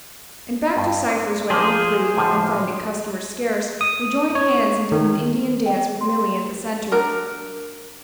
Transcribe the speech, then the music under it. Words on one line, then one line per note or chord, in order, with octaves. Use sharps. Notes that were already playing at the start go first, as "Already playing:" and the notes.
And back to Cypher's went we three, and, finding customers scarce, we joined hands and did an Indian dance with Milly in the centre.
G2
C4 D4
F3 A#3 G#4 C5
A2 D3 F3
D#6
C#5
D#3
G5
C6
D4 F#4 A#4